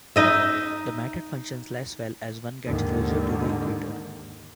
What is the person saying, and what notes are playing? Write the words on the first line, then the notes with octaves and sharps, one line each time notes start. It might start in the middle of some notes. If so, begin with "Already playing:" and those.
The method functions less well as one gets closer to the equator.
D#4 D#5 E5
D#2 G#2 D3 D#3